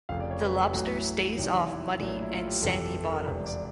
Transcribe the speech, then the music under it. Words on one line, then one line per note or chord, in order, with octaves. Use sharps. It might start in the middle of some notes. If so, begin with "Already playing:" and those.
The lobster stays off of muddy and sandy bottoms.
F1 F2 C#3 F5
D5
C#5
B4
B4
G4
A1 A2 F#3 F#4
E4
E2 C3 D#3 F#3
E4
A#1 A2 F#3
E4
F4
G4
G1 F2 C3 E3 A4
A4
A#4
E1 E2 C3 B4
D5